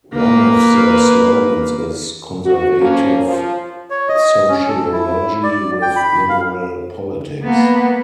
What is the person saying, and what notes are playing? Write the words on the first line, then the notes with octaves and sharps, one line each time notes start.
One of their slogans is 'conservative sociology with liberal politics.
A#3 B4
F#4
F3 A#3 C#4
F3
C#5
D#5
C#4
A4
E4
D5
G5
B5
F5
A#3 B3